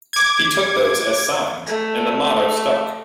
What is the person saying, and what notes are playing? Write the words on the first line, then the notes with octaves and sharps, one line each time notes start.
He took those as signs, and the motto stuck.
D6 G#6
A3